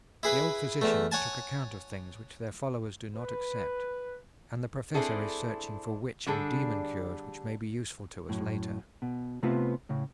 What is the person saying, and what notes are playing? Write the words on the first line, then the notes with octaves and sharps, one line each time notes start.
The old physicians took account of things which their followers do not accept, and the Professor is searching for witch and demon cures which may be useful to us later.
E4 G#4 B4
E2 A3
C#5 F#5 G#5 A5
B4
C4 D4 E4 G#4 A4
D3 G3 D4 G#4 A4
F#2 A2
B2
C3 A3 B3 C4 F4 B4
A2 C#3